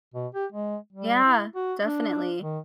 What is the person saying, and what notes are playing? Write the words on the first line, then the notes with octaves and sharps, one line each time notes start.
Yeah, definitely.
B2
G4
G#3
G3
E4
F#4
D4
D#3